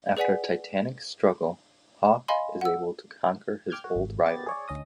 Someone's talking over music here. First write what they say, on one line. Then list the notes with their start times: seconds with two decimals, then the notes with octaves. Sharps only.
After a titanic struggle, Hawk is able to conquer his old rival.
0.17 G#4 B4 D5 F#5 G#5 B6
2.28 D#5 F5 G#5 B5 C6
2.61 F#5 E6
3.70 G5 D6 F6 G6 G#6
3.84 F#4
3.96 G#1
4.26 B3 G4 A6
4.46 G#4 C#5 D5
4.68 D2 C#4 D#5 D#6